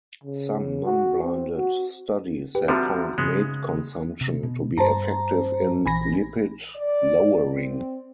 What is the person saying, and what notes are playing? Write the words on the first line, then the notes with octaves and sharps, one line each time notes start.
Some non-blinded studies have found mate consumption to be effective in lipid lowering.
C#3
F#4
C4
F#4
G4 B4
D3 F3 G3 C4 F#4 E5 A#5
C#3 G#3 B3
C3
B2
G2 C5 A5 A#5
A#1 E3 G#5 B5 A#6
D5
C4